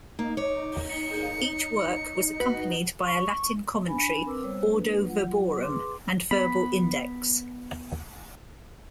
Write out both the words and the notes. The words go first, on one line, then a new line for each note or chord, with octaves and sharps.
Each work was accompanied by a Latin commentary, "ordo verborum", and verbal index.
A#3 D#4
C#5 D6
C#7
F#4 B4
C#6
D4 G#5 B5
C4 A#4 B4 D6 E6
G3 B3 C5 C#5 E6
A#3 D4 B4
F#3 F4 F#5
G#4 B4 C6 D6
B3 B5